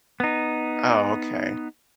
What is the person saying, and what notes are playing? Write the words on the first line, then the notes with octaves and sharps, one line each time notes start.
Oh, okay.
B3 D#4